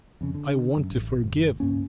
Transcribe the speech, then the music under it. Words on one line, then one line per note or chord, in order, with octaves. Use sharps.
I want to forgive.
F2 C#3
D3
F#2
A1
F#1
C#2 G2 A#3 C#4